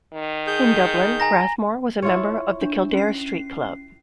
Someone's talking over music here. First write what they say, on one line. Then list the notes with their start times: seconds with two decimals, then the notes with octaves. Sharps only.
In Dublin, Rathmore was a member of the Kildare Street Club.
0.14 D#3
0.47 G#4 G6
1.20 G#5 A#5 A#6
2.02 E4 F4 C#5
2.61 D4
2.93 C#4 C7